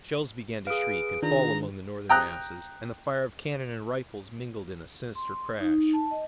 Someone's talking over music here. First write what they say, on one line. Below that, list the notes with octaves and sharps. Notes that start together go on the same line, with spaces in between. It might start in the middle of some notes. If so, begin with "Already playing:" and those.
Shells began to shriek and fall among the Northern masses, and the fire of cannon and rifles mingled in a sinister crash.
G#4 B4 F5 D#6 D7
D#3 D4 F4 A#5
G5 A#5 D#6 F#6
C6
D#4
A5
D#5